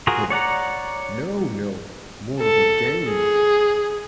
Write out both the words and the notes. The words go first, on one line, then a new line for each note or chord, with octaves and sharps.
HIM: No, no. More of a gain.
F4 F#4 G#4 A#4
C#5 D5 F#5 A#5
A4
G#4